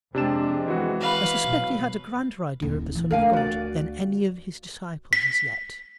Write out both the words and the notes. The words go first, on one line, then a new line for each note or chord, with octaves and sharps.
I suspect he had a grander idea of the Son of God than any of his disciples as yet.
F2 C3 G#3 C4 D4 E7
E3 F#4
B4 F5
B2 F#3
D#1 C2
E3
D2 D4 A#4 F5 G#5
F#4 D5
B6